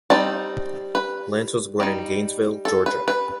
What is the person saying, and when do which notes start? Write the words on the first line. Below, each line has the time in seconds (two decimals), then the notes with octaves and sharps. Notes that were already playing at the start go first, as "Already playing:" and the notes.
Lance was born in Gainesville, Georgia.
0.10 G3 C4 D#4 A5
0.95 B4
1.80 G3 D#4
2.65 A4
2.86 B4
3.08 B4